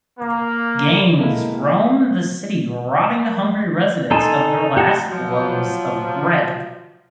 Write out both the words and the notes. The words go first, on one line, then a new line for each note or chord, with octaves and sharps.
Gangs roam the city robbing the hungry residents of their last loaves of bread.
A#3
G#3 A#3 E4 A4 A#4
D#4 A4 G#5 A5 C6
G4 F#5 A5 A#5
F3 F#3